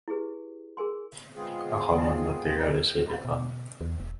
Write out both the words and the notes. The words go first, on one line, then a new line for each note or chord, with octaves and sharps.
A common material is silicon.
E4 G4 G#4 B4
G#4 A#4 G#5 C6
G#3 B3 C4 F4 G#4
B2
E2
E1